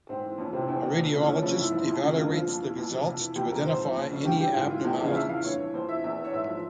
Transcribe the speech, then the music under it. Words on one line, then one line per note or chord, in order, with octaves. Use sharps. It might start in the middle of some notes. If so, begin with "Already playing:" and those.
A radiologist evaluates the results to identify any abnormalities.
G#2 C4
E3
F2 C#4
C3 E3 C4
E2 C4
C3 E3
F2
C#3 E3
F2 C#4
C#3 F3
G#2 E4
F3
F2
C#3 E3
G2 F4
F3 F4
F2
E3
F2
C3 F3
F2
E3
F2 G4
C3 F3 A#4
G#2 C5
F3
F2
C#3 F3
G2 G4
E3 G4
G#2 F4
E3 F4
E2 G4
C#3 F3 G#4 F5
F2 E5
E3 F5
G2 C#5
E3
F2 C5
E3 E5
E2 E5
E3
C#5
G#2 E5
F3